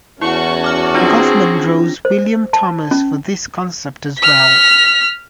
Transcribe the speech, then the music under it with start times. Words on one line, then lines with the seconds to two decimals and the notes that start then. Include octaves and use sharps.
Goffman draws from William Thomas for this concept as well.
0.21 E2 C#4 E4 F#4 A5 C#6
0.64 D6 F6
0.94 C4 D4 F4 G#4 A#6
2.05 C5
2.53 A5
2.91 C#4
4.19 F6 B6